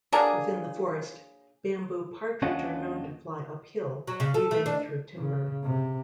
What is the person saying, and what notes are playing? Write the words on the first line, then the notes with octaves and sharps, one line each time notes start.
Within the forest, bamboo partridge are known to fly uphill, weaving through timber.
F#3 A#3 D4 G#4
D#2 C#4 D4 F4 D#5 F#5
F#3
C#3
A4
A3
D4
C#3
C3